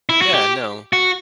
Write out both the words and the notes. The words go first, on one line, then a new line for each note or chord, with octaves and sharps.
Yeah. No.
E4
F#4
G4
F#4